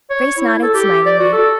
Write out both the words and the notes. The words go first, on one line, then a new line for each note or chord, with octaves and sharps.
Grace nodded smilingly.
C#5
E4
A4
G4
D5
F#4
A4